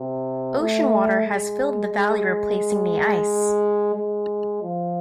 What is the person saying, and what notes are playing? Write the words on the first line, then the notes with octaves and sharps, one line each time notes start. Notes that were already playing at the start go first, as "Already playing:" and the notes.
Ocean water has filled the valley replacing the ice.
Already playing: C3
A3
G#3
G#3
G#3
F3